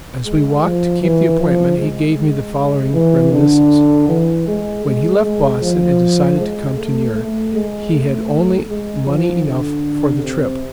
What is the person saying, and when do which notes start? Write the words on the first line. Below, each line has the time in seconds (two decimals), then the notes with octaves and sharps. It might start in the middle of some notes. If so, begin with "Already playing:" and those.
As we walked to keep the appointment he gave me the following reminiscence: When he left Boston and decided to come to New York he had only money enough for the trip.
0.24 G#3
0.63 F3
1.02 E3
1.40 F3
1.78 G#3
2.16 G#3
2.93 E3
3.31 D3
4.08 E3
4.47 G#3
4.85 G#3
5.23 G#3
5.62 F3
6.38 G#3
6.77 A3
7.15 A3
7.54 G#3
7.93 A3
8.69 G#3
9.07 F3
9.46 D3
10.22 C3